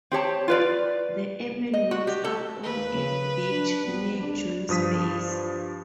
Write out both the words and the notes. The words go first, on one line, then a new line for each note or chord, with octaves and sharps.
The airman wakes up on a beach near June's base.
C4 G4 C#5 A5
F4 B4 D5
D#5
F#4
G4
A4
D#2 A#3 B4
C#3
D4
A#1 B3 C4
D2 D4
G2 F3 D#6 B6